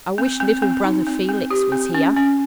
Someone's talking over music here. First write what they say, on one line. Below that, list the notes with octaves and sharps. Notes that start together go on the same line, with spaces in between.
I wish little brother Felix was here!'
C4
C4
C4
D#4
C4
C4
G4
C4
C#4
C#4